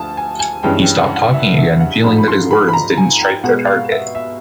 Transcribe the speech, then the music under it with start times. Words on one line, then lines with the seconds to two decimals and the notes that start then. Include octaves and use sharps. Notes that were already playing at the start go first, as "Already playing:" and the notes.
He stopped talking again, feeling that his words didn’t strike their target.
Already playing: D2 F3 A5 D#6
0.17 G#5
0.40 G#5
0.63 G2 E3 G#3 C#4 G5
0.82 G5
0.98 F#5
1.16 F#5
1.34 E5
1.58 E5
1.80 F#5
2.04 G#2 F3 A3 B5
2.18 B5
2.28 C6
2.51 B5
2.68 B5
2.73 A#5
2.98 G#5
3.21 G5
3.44 B2 G#3 B3 F#5
3.67 F5
3.91 E5
4.15 E5